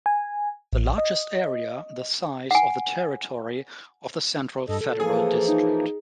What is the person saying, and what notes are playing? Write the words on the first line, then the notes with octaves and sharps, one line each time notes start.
The largest area the size of the territory of the Central Federal District.
G#5
A1
D#5
F#5 G#5
G2 G3 A4 D#5
B2 A4
E3 F3 A#3 G#4
D#4